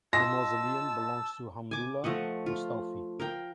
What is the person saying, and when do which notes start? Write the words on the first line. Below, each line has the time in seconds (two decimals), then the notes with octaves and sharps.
The mausoleum belongs to Hamdallah Mustawfi.
0.13 F4 D#5 A5 C6 E6 A#6
1.71 G#5 D6
2.04 F3 A3 D#5 F#5
2.46 F4
3.20 A#4 F5 G5